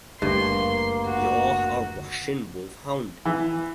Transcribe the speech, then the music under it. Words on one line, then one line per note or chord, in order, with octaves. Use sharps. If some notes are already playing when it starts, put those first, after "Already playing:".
You're a Russian wolfhound.
F#1 D2 G2 A#3 C6
F#4
E3